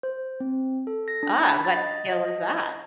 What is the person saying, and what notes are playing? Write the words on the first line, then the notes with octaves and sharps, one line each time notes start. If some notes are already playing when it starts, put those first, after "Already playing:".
Ah, what skill is that?
C5
C4
A4
A#6
D4
B5
A6
D#5
D#5